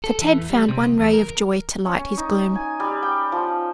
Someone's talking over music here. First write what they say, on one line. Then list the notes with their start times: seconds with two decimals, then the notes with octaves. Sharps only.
So Ted found one ray of joy to light his gloom.
0.04 A4
0.22 E3
0.38 E2
0.50 G3
0.69 C3
0.81 C#2
0.99 E2
1.13 A#4
1.85 C#4
2.17 D#4
2.55 G#5
2.80 G3
3.03 G5
3.32 F3